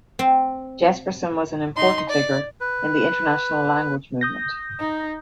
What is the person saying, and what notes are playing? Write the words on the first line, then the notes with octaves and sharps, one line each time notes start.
Jespersen was an important figure in the international language movement.
C4
D#4 C6
D5
B4
D#6 G6 A#6
D#4